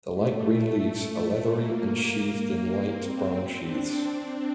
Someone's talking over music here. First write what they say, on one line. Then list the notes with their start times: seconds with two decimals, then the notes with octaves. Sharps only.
The light green leaves are leathery and sheathed in light brown sheathes.
0.12 A3
1.49 A#3
2.85 C4
3.54 D4